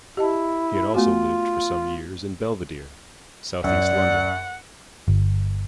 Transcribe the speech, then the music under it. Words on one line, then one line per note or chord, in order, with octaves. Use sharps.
He had also lived for some years in Belvedere, South East London.
E4 G4 D#5 A5
A3 B3 F4 F#4
F#2 D5 F#5
G1